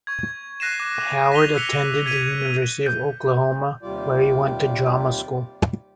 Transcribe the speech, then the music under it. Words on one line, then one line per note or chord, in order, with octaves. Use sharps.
Howard attended the University of Oklahoma, where he went to drama school.
C#6 G#6
F#6 A#6 C7 D#7 E7
D6
A#6 B6 D#7 F7 G7
E6 F#6 B6 C#7 F7
G#6 B6 D#7
G6
D#2 C3 G3 F4 D5